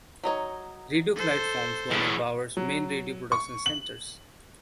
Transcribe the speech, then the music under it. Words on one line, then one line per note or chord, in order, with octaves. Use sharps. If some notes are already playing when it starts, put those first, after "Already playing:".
Radio Clyde forms one of Bauer's main radio production centres.
F#3 D#4 C#5
A4 C5
E2 A2 B3 G#4
F#3
C#6
F#7